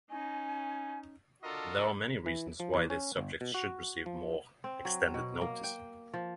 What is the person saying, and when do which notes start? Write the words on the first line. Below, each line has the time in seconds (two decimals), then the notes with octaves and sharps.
There are many reasons why this subject should receive more extended notice.
0.10 C#4 D#4 G#5
1.43 D4 F4 F#4 A4 A#4 D#5
2.26 E3
2.60 F3
2.74 E2
2.90 C#4
3.17 G1
3.41 B2
3.54 F#4
4.06 F3
4.64 C4
4.85 F#3
5.14 B2
5.41 A#3
5.63 G5
6.14 F3